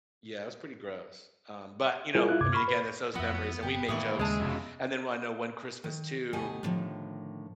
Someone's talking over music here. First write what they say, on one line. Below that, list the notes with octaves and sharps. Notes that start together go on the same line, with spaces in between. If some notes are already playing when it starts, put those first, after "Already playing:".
Yeah, it was pretty gross, um, but, you know, I mean, again, it's those memories, and we make jokes, and then one I know one Christmas, too,
G3 E4 F4 G#4 A#4
E4 F4 F#6
D2 G2 C3 D6 G#6
B5 C#6 F6
B4
F2 F3 B3 F#4 E5
G1 G4
D#2 A2 E3 D5 C#6 D#6
D#2 C#3 G#3 G#4 E5 A5
F1 C#2 B2
D#3
D2 B2 A3 G4 D#5 G#5
A2 D3 D#3 F3